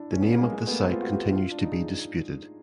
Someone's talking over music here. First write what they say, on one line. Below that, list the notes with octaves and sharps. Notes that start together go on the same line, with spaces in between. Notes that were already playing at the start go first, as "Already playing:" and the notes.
The name of the site continues to be disputed.
Already playing: D4 E4
C#4
B3
A#3
G#3
G#3
A3
B3
A#3
C4
F4
F#4
G4
G4
F4
D4
D#4
G#4